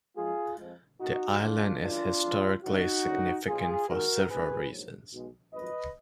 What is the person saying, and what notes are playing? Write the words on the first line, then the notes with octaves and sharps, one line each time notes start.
The island is historically significant for several reasons.
F#2 F3 G#3 F4 G#4
F2 F3 G#3
B1 A#2 F#3 D#4 F#4
A#1 G#2 D#3 G#3 D4 F4
F#2 D#3 G#3 D4 F4
F2 F3 G#3
F#2 D3 F#3 D#4 F#4
F#1 F#2 D3 F#3
B1 B2 F#3 F4 G#4
D#2 D#3 G#3 F#4 A#4
D#2 D#3 G#3 G#4 B4
A#1 G#2 F#3
B1 B2 G#3
G#1 F#2 F3 B4 D#5